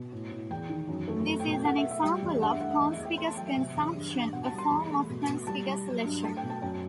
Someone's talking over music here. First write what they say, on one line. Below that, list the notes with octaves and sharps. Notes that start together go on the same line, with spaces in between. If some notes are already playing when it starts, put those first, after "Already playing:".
This is an example of "conspicuous consumption," a form of conspicuous leisure.
Already playing: B2
A2
A2
E2 G5
D#3
F#2
A3
A3
G5
B2
G5
A3 F#5
E5
A3
E5
G3 G5
E2
G2 F#5
E5
A3 F#5
E5
E2 D#5
E5
E2
G5
A3 C6
A5
F#3 G5
E5
C3
E2
G2
G2
B2 F#5
A5
G3
C6
E2 B5
A3
B2
B2
G3 A5
G3
F#3
G2
A3 A5
G5
B2
A5
F#2 G5